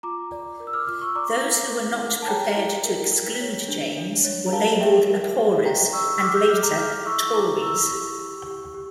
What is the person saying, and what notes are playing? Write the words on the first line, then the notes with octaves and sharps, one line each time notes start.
Those who were not prepared to exclude James were labelled "Abhorrers" and later "Tories".
F4 A#5 D6
D5
A#4
E6
D6 F6
F4 D6 F6
C#6 E6
D5 A#5 D6
E4
A#4
A#4
A5
C#5 G5 A#5
E4
A#4
A#4
C#5
D4
D4
C#5
A#5
A#4 F5 A5
G4 E5 G5
A#4
G4
G4 G5 A#5
D5 C#6 E6
E6
G4 D6 F6
E6 G6
D5 D6 F6
A#5 D6
G6
E4 D6 F6
E4 C#6 E6
E4 A#5 D6
E4 C#6 E6
G4
G4
G4
G4